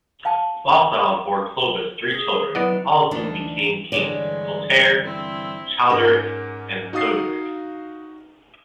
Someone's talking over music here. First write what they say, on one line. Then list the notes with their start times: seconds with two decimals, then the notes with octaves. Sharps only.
Balthild bore Clovis three children, all of whom became kings: Clotaire, Childeric and Theuderic.
0.25 F5 G5 A5
2.11 G#4
2.55 F#3 B3 E4 B4 D5 D#5 F#5
3.11 D2 E3 D4 D#4
3.92 G2 D3 E3 G#3 C#5 D5
5.02 C4 E4
5.90 G#2 C#4 A#4 F#5 D6 E7
6.93 D#4 F#4 F5 D#6 A6 C7